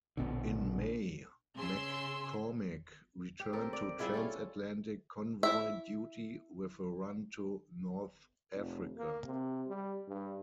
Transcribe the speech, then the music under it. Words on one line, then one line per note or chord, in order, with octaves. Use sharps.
In May, "McCormick" returned to transatlantic convoy duty with a run to North Africa.
A#1 B2 D3
C#3 G#4 C6 E6
G4
C4 G4 A4 A#4
D5
G3 E4 F4 G#4
C#4 F4 A4
E4 E5
F1
A#3
C3
G3
G2